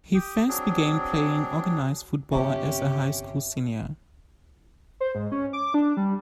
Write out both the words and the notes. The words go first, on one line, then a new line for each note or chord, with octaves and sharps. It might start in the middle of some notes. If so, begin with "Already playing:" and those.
He first began playing organized football as a high school senior.
G4 G5 D#6
F#3 C4 D4 G#4
G1 C3 C#4 G4 E5 A5 C#6
C5
G#2
C#4
D6
D4
G3